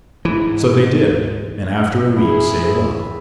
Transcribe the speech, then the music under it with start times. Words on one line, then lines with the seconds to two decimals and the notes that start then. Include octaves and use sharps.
So they did, and after a week sailed off.
0.25 G#2 E3
2.15 E3 E4 G#4